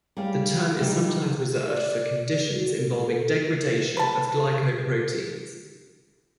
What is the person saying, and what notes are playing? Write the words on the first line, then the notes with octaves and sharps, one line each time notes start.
The term is sometimes reserved for conditions involving degradation of glycoproteins.
G3 G#4 C#5 F5
F#3 G3 D#4 F4
D5
D5
F#4
A#4
A4
A#4
B4 A5